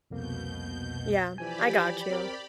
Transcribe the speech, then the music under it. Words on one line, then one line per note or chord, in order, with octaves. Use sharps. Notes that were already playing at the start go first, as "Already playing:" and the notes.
Yeah. I got you.
C2 F2 B2 A#3 G6
E3 F3 G4 D5 G#5 B5
C4 A#4